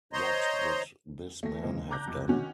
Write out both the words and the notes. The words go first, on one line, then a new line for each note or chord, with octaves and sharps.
What would this man have done?
C5 C#5 D#5 A#5 C6
A3 A#6
C#3 E3 G#3 A#3 C4
A5 A#5 D6 F#6 G6 A#6
F1
D#3 C#4 F#4